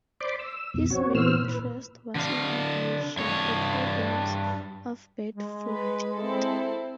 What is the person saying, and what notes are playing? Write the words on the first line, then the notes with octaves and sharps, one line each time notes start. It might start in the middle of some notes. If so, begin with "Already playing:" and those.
His main interest was in aviation, the problems of bird flight.
C5 D5 B5 C6 D6
E6
F2 B2
C4 F#4 C#5
A#2 E3 B3 C5 E6 F6
A#2 B4
D3 F5
G2 C#5
G#3
B4
C4 E4 A4